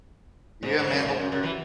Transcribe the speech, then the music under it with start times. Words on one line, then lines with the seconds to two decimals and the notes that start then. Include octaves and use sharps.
yeah, man, hope your
0.63 G#2
0.78 G#2
0.93 F#2
1.05 A2
1.08 G#2
1.19 F#2
1.32 F#2
1.43 E3